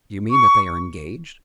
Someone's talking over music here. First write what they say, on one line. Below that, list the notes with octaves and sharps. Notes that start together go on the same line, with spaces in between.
"Do you mean that they are engaged?"
C#6